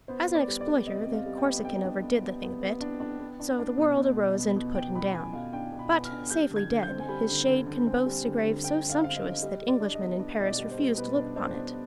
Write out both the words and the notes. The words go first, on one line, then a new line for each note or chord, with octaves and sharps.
As an exploiter, the Corsican overdid the thing a bit--so the world arose and put him down; but safely dead, his shade can boast a grave so sumptuous that Englishmen in Paris refuse to look upon it.
B3 C5
B3
D5
G3
D5
G3
C3 D#5
C3
F5
G3
G5
B3
B3 G5
D4
B3
B3
B3
B3
D4
D4
B3
D4
D4
B2
B2
B2
B3
B2
B2 G5
B2 B5
B2 G#5
B2 F5
D4 G5
B2
B5
B3
F6
D4
G3 G6
D3
G#6
D3
G6
C4
G#5
G3 B5
D3
D3
D3
C4
G3
D3
D3
C4 G5
D3
F5
C4 F5
D#5
D3
G3 D#5
G3
D5
D4
D#5
B3
D4 D#5
B2 D#5
D5
G3
C5
G3
B2 B4
D4
D4 C5
B3